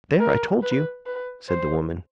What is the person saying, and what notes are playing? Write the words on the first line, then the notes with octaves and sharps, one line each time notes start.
"There, I told you!" said the woman.
A#4
B4
B4
C5